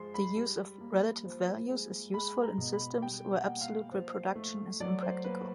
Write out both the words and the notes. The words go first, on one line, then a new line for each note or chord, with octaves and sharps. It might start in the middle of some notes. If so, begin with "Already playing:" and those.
The use of relative values is useful in systems where absolute reproduction is impractical.
Already playing: F3 G#3 C6
B5
G3
A#3
F3
G#3
G#3 B5
A#5
B2
B5
G3 G5
F#5
A#3
F5
F3
A3
F#3 D5
C5
A#3 B4